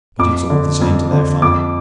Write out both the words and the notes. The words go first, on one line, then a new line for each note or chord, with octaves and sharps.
But it's all the same to their father.
F2 D6
D3
F2
D3
F2 D6